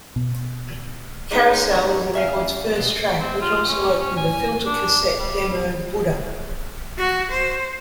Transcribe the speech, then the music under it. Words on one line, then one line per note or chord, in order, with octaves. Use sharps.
"Carousel" is the record's first track, which also opened the Filter cassette demo "Buddha".
B2
G#3 C#4 D#4
C#4 E5 F5
B2
C4
F4
C#4
C#4
G#5
D4
G3
F#4
C5